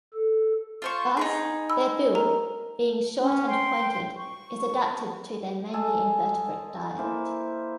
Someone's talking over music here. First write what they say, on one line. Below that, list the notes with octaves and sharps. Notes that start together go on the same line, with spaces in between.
Thus, their bill, being short and pointed, is adapted to their mainly invertebrate diet.
A4
F4 C5 C#6
D#4 E4 G#4
B5 E6
A#4 A#5
C#4
G5 C6
C#6
G#3 G#4 A4
A#3 E4 C5